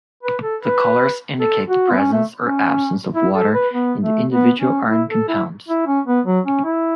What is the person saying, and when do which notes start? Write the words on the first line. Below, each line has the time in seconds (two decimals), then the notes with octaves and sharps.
The colors indicate the presence or absence of water in the individual iron compounds.
0.23 B4
0.42 A4
0.61 B4
1.40 A4
1.69 F#4
1.90 B3
1.98 C#4
2.13 A3
2.41 C#4
3.14 E4
3.34 A4
3.54 B4
3.73 B3
4.02 A3
4.32 B3
4.60 C#4
4.89 E4
5.10 A4
5.28 E4
5.68 E4
5.87 C#4
6.07 B3
6.26 F#3
6.46 C#4
6.65 E4